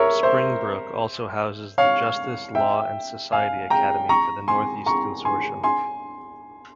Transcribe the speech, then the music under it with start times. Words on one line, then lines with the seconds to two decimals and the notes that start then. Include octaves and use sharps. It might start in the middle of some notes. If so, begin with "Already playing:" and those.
Springbrook also houses the Justice, Law and Society Academy for the Northeast Consortium.
Already playing: A#4 C#5 E5
0.23 C5 E5
1.78 C#5 F5
2.55 E5 G5
3.32 F5 G#5
3.70 G5 A#5
4.09 A#5 C#6
4.48 G#5 C6
4.86 A#5 C#6
5.25 G#5 C6
5.64 G#5 C6